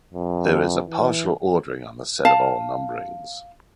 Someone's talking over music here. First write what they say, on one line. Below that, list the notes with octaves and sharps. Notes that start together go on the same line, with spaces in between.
There is a partial ordering on the set of all numberings.
F2
E3
F5 A5